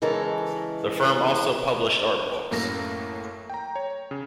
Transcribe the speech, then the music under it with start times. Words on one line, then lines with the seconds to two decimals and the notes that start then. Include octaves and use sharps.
The firm also published art books.
0.02 C#3 E3 G#3 A4 A#4 A#5
2.51 F#2 A2 A3 A#3 A4 A#6
3.50 G5 A#5
3.76 C#5
4.11 C#3